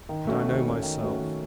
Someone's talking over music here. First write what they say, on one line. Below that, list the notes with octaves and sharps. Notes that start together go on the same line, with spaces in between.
And I know myself.
D#3
A3 C#4 F#4
D#3
A3 C#4 F#4
D#3
A3 C#4 F#4
D#3